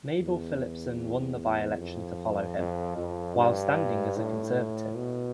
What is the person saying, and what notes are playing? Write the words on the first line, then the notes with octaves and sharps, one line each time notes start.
Mabel Philipson won the by-election to follow him, while standing as a Conservative.
E2
F2
F2
F2
G2
A2
B2